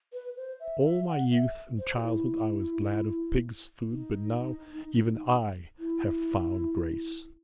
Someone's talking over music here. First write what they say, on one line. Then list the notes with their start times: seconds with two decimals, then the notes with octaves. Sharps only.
All my youth and childhood I was glad of pigs' food, but now even I have found grace.
0.13 B4
0.36 C5
0.60 E5
0.84 E5
1.07 F#5
1.31 E5
1.78 C5
1.97 F#4
2.02 E4
3.91 D#4
5.79 E4